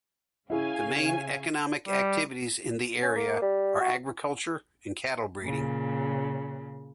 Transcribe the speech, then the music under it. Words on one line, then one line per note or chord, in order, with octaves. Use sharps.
The main economic activities in the area are agriculture and cattle breeding.
C#3 C#4 E4 G#4 F5 G#5
G3
C#4
A#3
G3
F#4
A#2 C#3